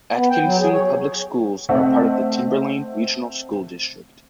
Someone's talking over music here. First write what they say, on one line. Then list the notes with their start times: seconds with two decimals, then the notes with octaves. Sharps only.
Atkinson Public Schools are part of the Timberlane Regional School District.
0.14 B3
0.30 G5
0.44 F#3
0.59 G#4
0.71 C#5
1.69 A3 C4 D#5 E5 F#5